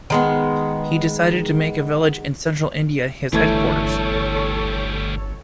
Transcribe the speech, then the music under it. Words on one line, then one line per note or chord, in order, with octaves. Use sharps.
He decided to make a village in Central India his headquarters.
D#3 G#3 B3
G1 D2 E3 G3 A3 A4 C#5 G#6